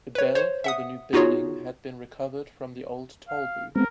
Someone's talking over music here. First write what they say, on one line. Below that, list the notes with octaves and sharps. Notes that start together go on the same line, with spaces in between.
The bell for the new building had been recovered from the old tollbooth.
B4 C#5
C5 C#5
E5 F#5 D#6
B3 D#4 F4 F#4 G#4 C#5
F5
G#3 B3 C4 A#4